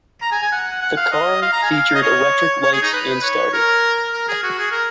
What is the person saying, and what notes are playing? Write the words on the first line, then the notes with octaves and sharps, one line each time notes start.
The car featured electric lights and starter.
A#5
G#5
G#5
F#5
F#5
F5
D#5
F5
A#5
G#5
F5
D#5
C#5
C#5
G#4
D#4
B4
C#5
A#4
A#4
G#4
F#4
G#4
A#4